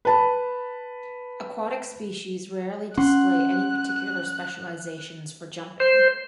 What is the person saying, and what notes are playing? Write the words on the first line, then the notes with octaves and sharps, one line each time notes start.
Aquatic species rarely display any particular specializations for jumping.
B4 A5 B5
C#4 F#5 C6 F#6
C5